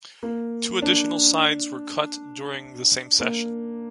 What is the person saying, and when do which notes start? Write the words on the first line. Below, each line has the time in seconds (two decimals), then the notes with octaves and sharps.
Two additional sides were cut during the same session.
0.23 A#3
0.82 D4
3.20 A#3